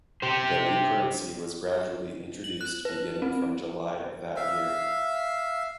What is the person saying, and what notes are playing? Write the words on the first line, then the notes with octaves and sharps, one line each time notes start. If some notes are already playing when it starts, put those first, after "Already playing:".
The new currency was gradually introduced beginning from July of that year.
G4 C5
F#7
F#6
B4
C4
E5 F5